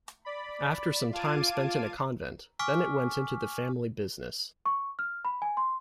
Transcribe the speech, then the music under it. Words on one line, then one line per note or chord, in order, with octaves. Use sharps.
After some time spent in a convent, Bennett went into the family business.
D5 B5
F4 F5 A5 D6 G#6 D#7
G#5 C#6 D6 F6 B6
C#6
F6
B5
G#5
C6